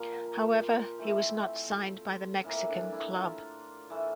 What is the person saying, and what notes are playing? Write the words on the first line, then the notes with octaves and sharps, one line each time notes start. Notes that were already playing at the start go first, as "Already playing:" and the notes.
However, he was not signed by the Mexican club.
Already playing: A#2 F3 A#3 A#4
A#4
C5
E3 A3 C4 C5
F4
A2 E3 A#3
D4
E4
F4
A2 E3 A3